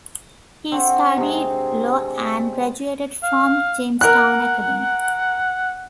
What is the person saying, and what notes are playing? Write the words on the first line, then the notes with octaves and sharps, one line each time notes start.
He studied law and graduated from Jamestown Academy.
C4 D4 F#4 A4
C3 G#3
F5
A#4 F#5 F#6